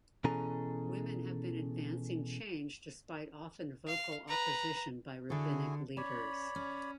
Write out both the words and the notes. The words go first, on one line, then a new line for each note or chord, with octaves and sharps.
Women have been advancing change despite often vocal opposition by rabbinic leaders.
B2 E3 C#4 G#4 A4 A#5
F5
B4 A#5
D3 E4 F#4 G#4 A4
C#4 C#5 D5 B5
C#4